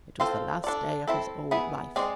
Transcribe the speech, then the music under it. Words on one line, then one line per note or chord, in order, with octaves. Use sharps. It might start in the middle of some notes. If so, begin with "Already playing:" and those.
It was the last day of his old life.
C4 F4 A4 C5
D4 A4 D5
C4 E4 A4
B3 E4 G#4
G#3 C4 G#4 D5